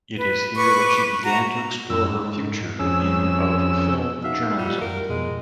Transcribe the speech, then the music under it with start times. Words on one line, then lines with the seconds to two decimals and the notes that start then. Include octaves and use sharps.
It is here that she began to explore her future in of film journalism.
0.18 B4
0.56 B4 C#6 D6
1.24 F#4 A#5
1.90 F#2 E6
2.08 G#2
2.79 F2 C#4 G#4 E6
4.24 D#4 F#4 E5 F5
4.58 G3 F4 G4 F#5
4.81 F#2 A#4
5.09 F2 B2 G#3